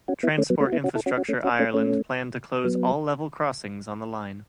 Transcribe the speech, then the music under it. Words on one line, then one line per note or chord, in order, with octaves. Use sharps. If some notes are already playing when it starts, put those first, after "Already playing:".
Transport Infrastructure Ireland planned to close all level crossings on the line.
C#4 F#4
B3 E4
A3 C#4
F#3 B3
A3 C#4
F#4
B3 E4
C#4 F#4
E4 A4
C#4 F#4
C#4 F#4
A3 C#4
C#4 F#4
A3 C#4
A3 C#4
F#3 B3